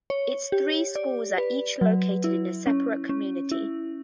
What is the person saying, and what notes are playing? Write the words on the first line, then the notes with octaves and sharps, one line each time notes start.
Its three schools are each located in a separate community.
C#5
G4
D5
B4
F#3
E4
C#4
C#4
E4